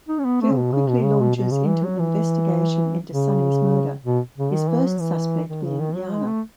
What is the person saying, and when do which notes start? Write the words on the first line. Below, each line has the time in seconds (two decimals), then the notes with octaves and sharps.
Phil quickly launches into an investigation into Sonny's murder, his first suspect being Jana.
0.09 D#4
0.19 C#4
0.25 B3
0.41 A3
0.51 C#3
0.57 B2
0.73 C#3
0.89 B2
1.04 C#3
1.20 B2
1.36 B2
1.51 C#3
1.68 E3
1.83 F#3
1.99 E3
3.10 C#3
4.05 B2
4.38 C#3
4.53 D#3
4.69 E3
4.85 F#3
5.00 E3
5.49 D#3
5.64 C#3
5.80 D#3
5.95 F#3
6.12 G#3
6.27 A3